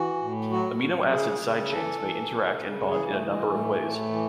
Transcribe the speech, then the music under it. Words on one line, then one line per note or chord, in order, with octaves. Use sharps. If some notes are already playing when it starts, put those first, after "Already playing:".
Amino acid side chains may interact and bond in a number of ways.
Already playing: E3 F#4
A2
F#3 F#4
F#3
C#3 G#4
C#3
E3 A4
E3
C#3
C#3
E3 G#4
A3
E3
G#3
A2 A3
A2
E3